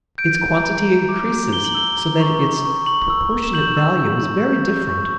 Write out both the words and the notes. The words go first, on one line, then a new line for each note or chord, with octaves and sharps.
Its quantity increases so that its proportionate value is very different.
G6 D7
A#5
A#5
G6
D6
A#5
A#5 G7
F#7
E6 G7
A#5
C#6
C#6
C#6
C#6 F#7
E6
C#6
E7
G6 F#7
E6
E6
E6
G6
G6
C#6